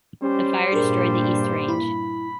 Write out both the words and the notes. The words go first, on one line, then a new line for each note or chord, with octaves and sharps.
The fire destroyed the East Range.
G3 C#4 G4 C5
G2 A#2 D4 G#4 A#4
E4 B5